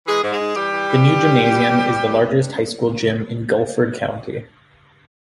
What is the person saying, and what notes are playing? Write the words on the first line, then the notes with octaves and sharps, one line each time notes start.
The new gymnasium is the largest high school gym in Guilford County.
E3 G#3 G#4
G#2
G#3 G#4
G#2
E3 G3 G4
E3
E3
E3
G#2
G#2
E3
E3
E3
E3
G2
G2